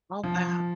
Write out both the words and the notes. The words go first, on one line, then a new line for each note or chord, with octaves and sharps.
Oh, wow.
F3